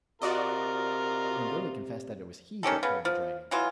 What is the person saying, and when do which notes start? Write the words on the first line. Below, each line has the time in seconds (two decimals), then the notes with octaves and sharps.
Then Billy confessed that it was he that killed the dragon.
0.22 C3 F4 F#4 A#4 D5 D#5
2.63 D#3 C#4 G4 A4
2.83 C#3 B3
3.05 F3
3.51 E3 F#3 F4